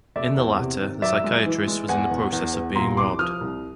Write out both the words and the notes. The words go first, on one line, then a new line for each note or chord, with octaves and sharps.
In the latter, the psychiatrist was in the process of being robbed.
F1 D5 E5
E2
C3
D#3
F#2 D5 E5
G#3
E3
G#3
E2 F#5 G#5
E2
E2
E2
A#2 A#5 C6
C2 C6 D6
F3 D#6 F6
C2